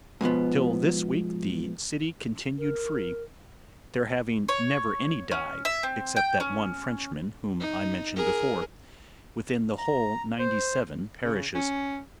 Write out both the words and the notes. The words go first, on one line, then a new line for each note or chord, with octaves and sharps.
Till this week the city continued free, there having never any died, except that one Frenchman whom I mentioned before, within the whole ninety-seven parishes.
G#2 B2 F3 B3
A#4
C#5
C#4
E5
C4
G5
C#4
D#4
G#4 A#4
A#5
C5
C#3
C#4